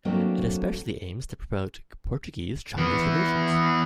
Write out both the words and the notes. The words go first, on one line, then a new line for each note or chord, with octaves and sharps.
It especially aims to promote Portuguese-Chinese relations.
F#3 A3 A#3 C4 D4
E3 B3